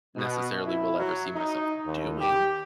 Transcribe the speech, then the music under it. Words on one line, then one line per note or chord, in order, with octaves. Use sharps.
necessarily will ever see myself doing,
B2
E4
F#3
D#4
D#2
G4